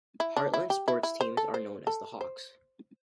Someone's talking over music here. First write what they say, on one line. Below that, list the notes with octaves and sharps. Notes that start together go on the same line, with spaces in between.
Heartland's sports teams are known as the Hawks.
E4
D4
E4
G4
E4
E4
C5
A4
C5
A4
C5